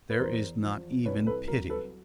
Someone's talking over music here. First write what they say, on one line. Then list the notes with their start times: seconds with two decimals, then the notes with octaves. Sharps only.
There is not even pity.
0.10 B4
0.20 E2 A#4 C5
0.63 F3
1.05 C2 B4 C#5
1.26 A4 B4
1.48 F#3 A#4
1.70 A4 B4